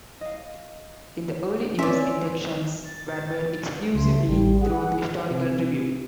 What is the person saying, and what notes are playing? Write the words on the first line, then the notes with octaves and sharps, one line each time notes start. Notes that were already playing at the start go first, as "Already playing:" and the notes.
In the early years, inductions were made exclusively through historical review.
D#5 F5
C4 C#4 D5 E5
A6
C#2 A3 C6
A1 G3
G#4 F#5
C3